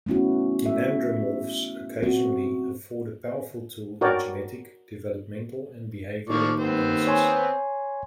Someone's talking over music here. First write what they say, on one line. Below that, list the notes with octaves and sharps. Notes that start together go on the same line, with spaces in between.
Gynandromorphs occasionally afford a powerful tool in genetic, developmental, and behavioral analyses.
A3 B3 C#4 E4 F#4
E5
C4 F#4
F#4 A#4 C#5 D5 G5
D#2 F3 D5 C#6
B3 C4 C5
C#5 G#5 C6